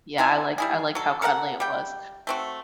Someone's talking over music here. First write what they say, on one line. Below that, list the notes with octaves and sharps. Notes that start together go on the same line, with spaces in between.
Yeah, I liked I liked how cuddly it was.
D#4 E4 G#5
G3 E4 G#4
F#3 A4
A4 A#4 D#5 F#5
G3 G5
A3 C4 F#4